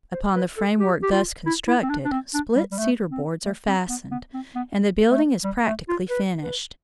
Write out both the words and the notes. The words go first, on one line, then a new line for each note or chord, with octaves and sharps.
Upon the framework thus constructed split cedar boards are fastened, and the building is practically finished.
C5
B4
A4
G4
G4
F4
E4
E4
C4
D4
D4
C4
D4
G3
G3
A3
C4
A3
C4
B3
B3
C4
B3
A3
G3
A3
F4
B4
B4